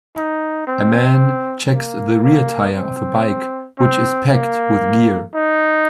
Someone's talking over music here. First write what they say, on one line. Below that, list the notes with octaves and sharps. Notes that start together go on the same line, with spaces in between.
A man checks the rear tire of a bike which is packed with gear.
D#4
C4
A#3
A#3
C4
C4
A#3
D#4